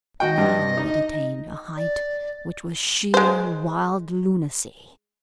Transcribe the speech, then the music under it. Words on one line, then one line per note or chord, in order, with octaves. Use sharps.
Now it attained a height which was sheer wild lunacy.
F#4 D#5 G5
G2
D#4
D5
G#3 C5